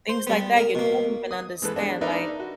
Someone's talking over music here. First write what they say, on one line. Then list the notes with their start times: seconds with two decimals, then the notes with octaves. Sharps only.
Things like that, you don't even understand, like,
0.09 C5
0.27 G3 B3
0.56 A#4
0.75 B2 A#3
1.31 D#6
1.62 E3 G#3 A4 B4
1.76 G3 G#3 B3 D4
2.01 D4 D#4 A#4 B4 D5 E5
2.40 F#4